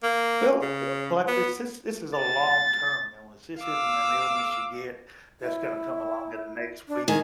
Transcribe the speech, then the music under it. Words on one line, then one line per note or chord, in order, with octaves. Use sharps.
well, l like this is this is a long term illness. This isn't an illness you get that's gonna come along in the next week
A#3
C#3
B3
A6
F5 D6 E6
E4
D4
D#3 G#5